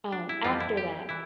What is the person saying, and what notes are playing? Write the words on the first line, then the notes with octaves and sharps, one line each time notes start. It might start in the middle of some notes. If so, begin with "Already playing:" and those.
um, after that.
D4
E4
F2 E3 G3 C4 F4
E4
G4
E3 E4